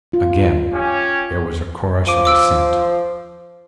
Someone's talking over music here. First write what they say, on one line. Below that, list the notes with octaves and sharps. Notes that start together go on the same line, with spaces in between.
Again there was a chorus of assent.
F4
C#4 G4
F3 D6 D7 D#7
D6 E6 D7